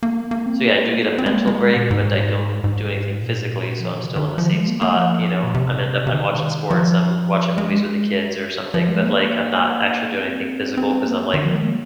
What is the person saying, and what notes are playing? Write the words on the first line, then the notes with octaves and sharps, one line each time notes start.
so, yeah, I do get a mental break, but I don't do anything physically, so I'm still in the same spot, you know? I'm end up I'm watching sports. I'm watching movies with the kids or something, but, like, I'm not actually doing anything physical 'cause I'm like
A#3
A#3
C4
A#3
C4
G#3
A#3
G#3
A#2
G#2
G#2
A#2
F3
D#3
C3
D#3
F3
G#3
A#3
A#3
F3
A#2
C3
C3
D#3
F3
G#3
F3
G#3
A#3
C4
C4
A#3
D#3
F3
G#3
A#3